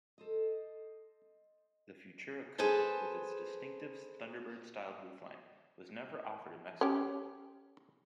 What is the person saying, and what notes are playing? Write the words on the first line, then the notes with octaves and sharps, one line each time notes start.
The Futura coupe with its distinctive Thunderbird-styled roofline was never offered in Mexico.
A4 C5 D#5
G#4 A4 B4 C5 A5
C#4 G4